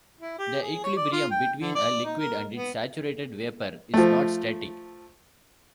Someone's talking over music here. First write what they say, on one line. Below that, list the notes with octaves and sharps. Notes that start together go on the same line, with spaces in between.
The equilibrium between a liquid and its saturated vapor is not static.
E4
G4
G#4
C#5
D5
F4
G5
D3
D5
D#4
A#4
B3
F3 A3